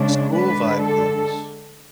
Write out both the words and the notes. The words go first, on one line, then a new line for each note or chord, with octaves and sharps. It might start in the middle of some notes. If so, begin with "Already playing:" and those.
School-vibe looks?
Already playing: C#3 G#3 D4
D3 G#3 D4 B4
A4